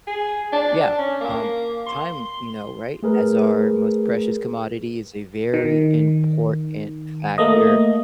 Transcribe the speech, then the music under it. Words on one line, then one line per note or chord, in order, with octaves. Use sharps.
Yeah, um, time, you know, right, as our most precious commodity is a very important factor,
G#4
D4
C#4
A#3
C6
A3 G#4 A#4 B4
D#3
A3 A#3 D#5